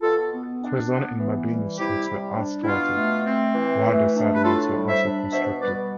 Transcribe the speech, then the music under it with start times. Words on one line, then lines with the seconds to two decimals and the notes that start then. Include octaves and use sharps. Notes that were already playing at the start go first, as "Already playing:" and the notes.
Quezon and Mabini streets were asphalted while their sidewalks were also constructed.
0.01 B2 F4 A4
0.31 B3
0.61 D4
0.91 B3
1.19 E3
1.50 G3
1.78 C3 E4 G4
2.08 G3
2.37 D4
2.63 E4
2.66 B2 F4
2.96 A3
3.25 C4
3.54 E3
3.85 A3
4.14 D4
4.34 B4
4.43 A2 F4 A4
4.73 G3
4.87 C5 E5
5.02 D4
5.31 B2 C5 E5
5.60 G3 B4 D5